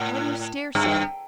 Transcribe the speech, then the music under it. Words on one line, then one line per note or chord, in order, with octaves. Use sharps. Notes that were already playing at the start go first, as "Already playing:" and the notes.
Why do you stare so?
Already playing: A2
G2